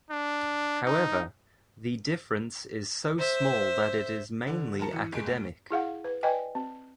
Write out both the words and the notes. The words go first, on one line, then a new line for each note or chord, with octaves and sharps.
However, the difference is so small that it is mainly academic.
D4
D#4
C5 E5
D3
F#2 A#4 A5 C#7
E3
F#1 G#4 D7
D2
E4 G#4 F5 F#5
B4
B4 D5 D#5 G5 G#5
C4